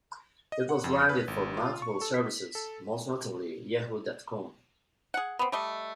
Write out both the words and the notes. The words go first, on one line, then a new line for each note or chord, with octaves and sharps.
It was branded for multiple services, most notably Yahoo dot com.
D#5
F#5
F2
B4
G#1
F4
C#6
A4
B6
A4
G#4 F#5
B3 C4
G3 A3 D#5